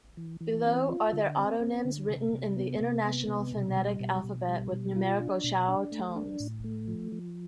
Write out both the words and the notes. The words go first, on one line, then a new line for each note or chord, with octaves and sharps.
Below are their autonyms written in the International Phonetic Alphabet with numerical Chao tones.
E3
E3
C4
F4
D3
C4
C4
D3
C3
C3
B3
C3
B3
C3
B2
G3
B2
B2
G3
B2
F4
D4
B2
D4
A3
D4
A2
A3
F3
F3